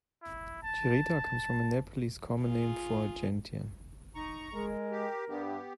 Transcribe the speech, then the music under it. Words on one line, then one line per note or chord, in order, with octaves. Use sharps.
"Chirita" comes from a Nepalese common name for a gentian.
E4
A5
F4 G#4
D#4 A#5 C#6
G#3 A#4
G4
G2 B3 G4